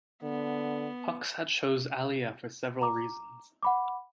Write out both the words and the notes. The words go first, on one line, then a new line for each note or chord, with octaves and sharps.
Hoxha chose Alia for several reasons.
D3 B3
A#5 D6
F#5 B5 D6